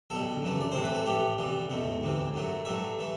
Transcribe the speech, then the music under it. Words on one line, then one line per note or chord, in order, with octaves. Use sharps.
Cathedral bells reportedly rung during the quake.
B1 B2 G3 A4
F#2 E3 A3
D5
C2 C3 E3 A3 C5
B4
A4
A1 A2 E3 A3 G4
A1 G2 E3 G3
E2 B2 A3
D2 C3 E3
F#2 F#3 A3
G2 F#3 A3 E5
E3 A3